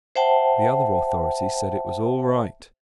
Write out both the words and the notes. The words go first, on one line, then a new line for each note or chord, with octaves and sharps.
The other authorities said it was "all right!"
C5 E5 F#5 G5 A5